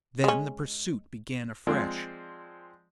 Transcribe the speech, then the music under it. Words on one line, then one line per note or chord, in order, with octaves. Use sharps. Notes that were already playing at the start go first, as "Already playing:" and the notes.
Then the pursuit began afresh.
G#3 C#4
F3 G#3 C4 D5